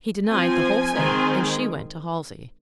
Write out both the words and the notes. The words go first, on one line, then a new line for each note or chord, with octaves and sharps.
He denied the whole thing, and she went to Halsey.
F3 C4 G#5
D#3 G#3 C4